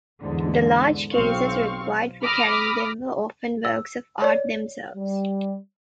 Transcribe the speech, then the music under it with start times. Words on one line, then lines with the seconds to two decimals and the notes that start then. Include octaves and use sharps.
The large cases required for carrying them were often works of art themselves.
0.19 E2 G#2 D3
1.14 B1 C4 F5 C#6
2.23 B5 D6 D#6 F6 A#6
3.65 E6
4.22 C#5 D5
4.95 G3